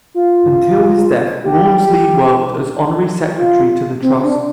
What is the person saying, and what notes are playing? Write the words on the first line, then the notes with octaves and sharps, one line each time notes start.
Until his death, Rawnsley worked as Honorary Secretary to the Trust.
F4
G4
F4
C4
D4